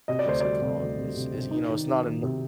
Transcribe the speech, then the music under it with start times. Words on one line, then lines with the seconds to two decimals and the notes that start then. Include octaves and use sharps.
What's it called? It's it's, you know, it's not eno
0.08 C3 D#5
0.19 D5
0.26 D2 C5
0.40 G3 D5
0.62 C3
0.80 D2
0.98 C3
1.16 C3
1.34 C3
1.51 D#4
1.70 D#3
1.88 D#3
2.05 D#3
2.23 C3